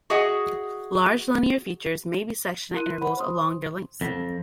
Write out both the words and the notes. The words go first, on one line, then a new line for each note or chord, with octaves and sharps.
Large linear features may be sectioned at intervals along their lengths.
F#4 G#4 D#5 E5 F#5
E4 A#4 C6 F#6 D#7
C5 F#5 B5
C5 C6 D#6
F2